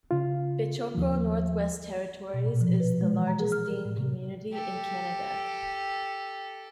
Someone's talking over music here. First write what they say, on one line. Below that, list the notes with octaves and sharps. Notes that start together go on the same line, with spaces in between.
Behchoko, Northwest Territories is the largest Dene community in Canada.
C#3 F4
D#2 F3
B2
A#2
F3
B4
G#3
E3
A#5
G#4
F6
A#4
A2
C3
G4 A4